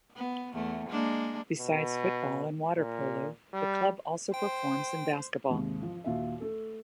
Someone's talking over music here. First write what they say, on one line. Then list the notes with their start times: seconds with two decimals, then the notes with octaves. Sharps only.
Besides football and water polo, the club also performs in basketball.
0.16 B3
0.53 E2 A3
0.89 G#3 A#3 D4
1.59 B2
2.77 A#2
3.54 G3
4.34 C5 G5
5.49 G#1 D#2 G#2 C3
5.82 F3
6.04 D#2 A#2 F4 F#4 E5
6.40 A3 A4